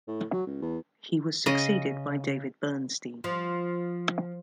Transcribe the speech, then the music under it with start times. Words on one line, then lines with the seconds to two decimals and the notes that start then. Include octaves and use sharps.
He was succeeded by David Bernstein.
0.08 A2
0.33 F#3
0.47 C#2
0.62 E2
1.46 C#3 D#5
3.24 F3